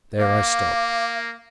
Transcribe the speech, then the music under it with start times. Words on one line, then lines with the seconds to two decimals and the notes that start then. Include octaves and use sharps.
There I stopped.
0.20 A#3 F5 D6